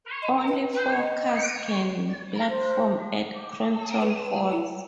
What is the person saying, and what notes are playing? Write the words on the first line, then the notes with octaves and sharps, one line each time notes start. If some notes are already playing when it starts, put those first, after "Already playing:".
Only four cars can platform at Croton Falls.
D#5
B4
B4
D#5
C5
B4
B4
E4